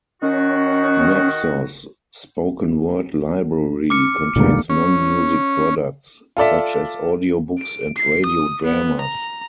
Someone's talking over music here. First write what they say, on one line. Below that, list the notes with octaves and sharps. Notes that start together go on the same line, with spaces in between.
Naxos Spoken Word Library contains non-music products, such as audiobooks and radio dramas.
D#3 C#4 F#4
D6 F6 C#7
F1 C#2 A#2 D3 G3 A#3
C#4
F4 A4 D5 E5
D7
C7
D#6
B3
A#5